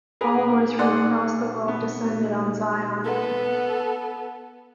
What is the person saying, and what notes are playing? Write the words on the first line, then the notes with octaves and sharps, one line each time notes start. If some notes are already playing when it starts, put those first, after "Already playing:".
Followers from across the world descended on Zion.
G#4 A#4 B4
D#4 G#4 D5 F#5 C6
B3
B3 A4